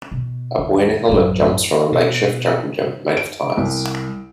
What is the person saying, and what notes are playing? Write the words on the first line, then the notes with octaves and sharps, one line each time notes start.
A boy in a helmet jumps from a makeshift junglegym made of tires.
B2
D#2
A1 F#2
B2
D7
C2